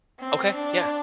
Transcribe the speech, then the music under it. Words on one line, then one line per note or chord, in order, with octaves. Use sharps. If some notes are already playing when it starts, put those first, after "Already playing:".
Okay. Yeah.
C4
D4